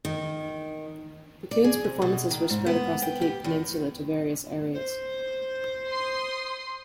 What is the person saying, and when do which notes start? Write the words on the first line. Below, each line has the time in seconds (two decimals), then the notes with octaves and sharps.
The Coons performances were spread across the Cape Peninsula to various areas.
0.05 D#3
1.51 D5
1.64 G#4
1.84 C3
2.02 B2
2.31 D#3
2.50 G#2
2.66 B3
3.02 G5
3.22 G4
3.44 E2
4.73 C5
5.89 C6 D#6